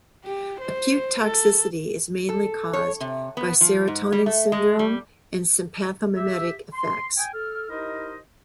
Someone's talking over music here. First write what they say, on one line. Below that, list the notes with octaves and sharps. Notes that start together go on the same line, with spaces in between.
Acute toxicity is mainly caused by serotonin syndrome and sympathomimetic effects.
G4
C5
A4
A4
C#5
C3
B3
F3
G#2
G3
A3
G#3
G3
G4 E5
C6
G5 G#5
A4 F6
D#4 E4 G4 A#4 C5 D#5